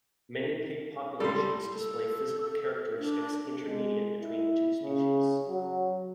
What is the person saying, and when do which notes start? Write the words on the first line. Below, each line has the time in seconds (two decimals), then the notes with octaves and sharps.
Many pig populations display physical characteristics intermediate between the two species.
1.20 C#2 G3 A4 C6
1.71 A4
2.99 D4
3.65 G#3
4.21 E4
4.82 C#3
5.49 F#3